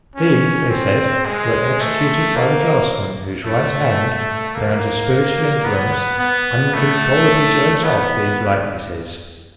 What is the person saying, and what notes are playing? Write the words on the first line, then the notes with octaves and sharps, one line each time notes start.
These, they said, were executed by the draftsman, whose right hand, when under spiritual influence, uncontrollably jerked off these likenesses.
C#4
C4
G#3
A3
A#3
A3
A#3
B3
B3
A3
B3